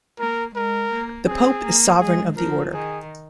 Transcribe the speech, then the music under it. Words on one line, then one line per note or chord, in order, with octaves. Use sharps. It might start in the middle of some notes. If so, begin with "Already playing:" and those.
The pope is sovereign of the order.
A#3 A#4
G#3 A#4
A#3
C4 G#4
A#3
G#3 G#4
F3 A#4
D#3 G#4